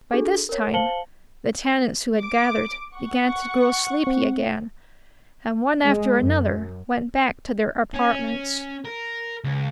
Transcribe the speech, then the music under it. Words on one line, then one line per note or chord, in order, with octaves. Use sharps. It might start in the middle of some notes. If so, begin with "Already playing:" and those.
By this time the tenants who had gathered began to grow sleepy again, and one after another went back to their apartments.
D4 F#4 G#4 A4
A#4 C#5
C5 F5 A5 C#7 F#7 G7
D6
F#5 C#6
C4
G#3
F#2
C#4
A#4
C#2